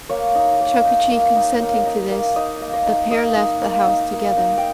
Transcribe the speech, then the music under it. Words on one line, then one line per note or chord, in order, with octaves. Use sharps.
Chokichi consenting to this, the pair left the house together.
A#3 C#5
D#4
A#3
D#4
A#3
D#4
A#3
D#4
A#3
D#4 D#5
A#3
D#5
D#4
A#3 D#5
D#4
A#3
D#4
A#3
D#4
G5